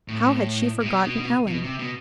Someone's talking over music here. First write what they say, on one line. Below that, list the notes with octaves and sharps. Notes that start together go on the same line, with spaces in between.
How had she forgotten Ellen?
A2
A2
A2
B2
B2
C3
B2